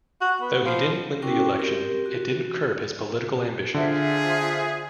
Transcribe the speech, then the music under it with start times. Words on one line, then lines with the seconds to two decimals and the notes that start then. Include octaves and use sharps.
Though he didn't win the election, it didn't curb his political ambitions.
0.21 F#4
0.42 B3
0.65 F3
1.22 C#4 E4 F#4 A#4 G5 D6
1.59 C4 G4 A#4
2.06 F#4
3.74 D3 F4 G#4 C5 E5